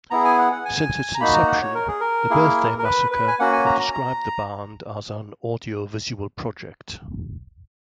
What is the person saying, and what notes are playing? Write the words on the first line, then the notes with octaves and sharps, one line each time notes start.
Since its inception, The Birthday Massacre have described the band as an audio-visual project.
B3 E4 G#4 A#5
G#5
F#5
F#5
G#5
A#5
A#3 D#4 F#4 B5
A#5
F#5
C#5
A#4
G#4
A#4
A#3 E4 G#4
A#4
B4
B4
G#5
A#3 C#4 F#4 F#5
G#5
A#5
A#5
A#5